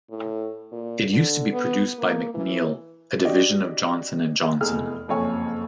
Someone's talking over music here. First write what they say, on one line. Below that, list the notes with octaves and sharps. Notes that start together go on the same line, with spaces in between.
It used to be produced by Mcneil, a division of Johnson and Johnson.
A2
A#2
D3
B3
A#3
E3
D4 F#4 G4 D5 D#5
F1 E2 G#4 F6
F#1 F2 C#5 G#5